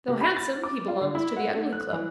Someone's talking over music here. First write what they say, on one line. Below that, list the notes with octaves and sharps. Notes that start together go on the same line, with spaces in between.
Though handsome, he belonged to the Ugly Club.
C3
B5
A6
D6
F4
D3
E4
F#5
A3
F#6
E3